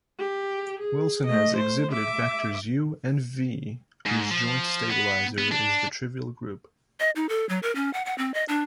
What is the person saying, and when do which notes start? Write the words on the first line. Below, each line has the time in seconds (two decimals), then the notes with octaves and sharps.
Wilson has exhibited vectors "u" and "v" whose joint stabilizer is the trivial group.
0.19 G4
0.80 G#4
1.26 A3 D#5
1.57 C5
1.92 E5 D6
4.06 G#2
4.31 F3
4.90 B3
5.38 B3
5.52 D4
7.00 D#5
7.16 D#4
7.29 A4
7.49 F#3
7.63 A#4
7.75 C#4
7.94 F#5
8.05 F#5
8.18 C4
8.34 D#5
8.48 D4